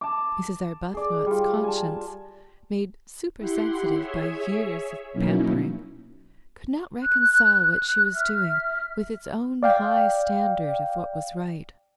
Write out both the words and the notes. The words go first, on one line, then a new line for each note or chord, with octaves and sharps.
Mrs. Arbuthnot's conscience, made super-sensitive by years of pampering, could not reconcile what she was doing with its own high standard of what was right.
A5 D6
G#4 D5
G3 F4
G#5 A5
E4 G4 F#5 C6
G#4 C#5 E5
B2 F#3 A#3 C#4 D#4 E4
F#6
E5 F6
D5 F5 G5